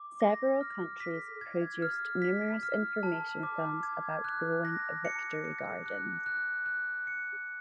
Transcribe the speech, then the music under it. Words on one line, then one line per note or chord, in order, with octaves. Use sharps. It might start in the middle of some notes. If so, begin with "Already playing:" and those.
Several countries produced numerous information films about growing victory gardens.
Already playing: D6
A#6
F6
B6
G#6
F6
B6
F6
A5
D6
G#6
F#6
A#6
C#7
C#7
F#6
F#6
F#6
C#7